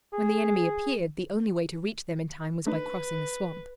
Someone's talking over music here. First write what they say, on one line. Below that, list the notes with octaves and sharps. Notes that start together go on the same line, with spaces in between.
When the enemy appeared the only way to reach them in time was by crossing a swamp.
G#4
A3 D4 D#4 B4